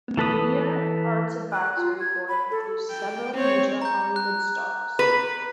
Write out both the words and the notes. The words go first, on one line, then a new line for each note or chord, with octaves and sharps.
The Media and Arts Advisory Board includes several major Hollywood stars.
E3 A4 B4 D#6
F#6
F4
G#6
B5
A4
G5
C4 C#5
A#5 G6
F#6
B4